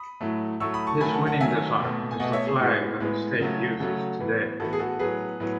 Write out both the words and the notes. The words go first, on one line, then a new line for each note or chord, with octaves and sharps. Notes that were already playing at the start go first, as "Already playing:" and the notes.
His winning design is the flag that the state uses today.
Already playing: B5 D#6
A2 F#3 A3
A2 F#3 A3 C#6 E6
B5 D#6
A5 C#6
D#3 F#3 A3 G#5 B5
F#5 A5
F#5 A5
D#3 F#3 A3 E5 G#5
B2 A3
G#5
B2 A3 D#5 F#5
C#5 E5
G#4
A2 G#3 B3 F#4
A2 G#3 B3
C#3 F#3 A3
C#3 F#3 A3 F#4 A4
A2 E3 B3
A2 E3 B3 F#4 A4
G#4
F#4 A4
A2 F#3 B3 G#4 B4
A2 F#3 B3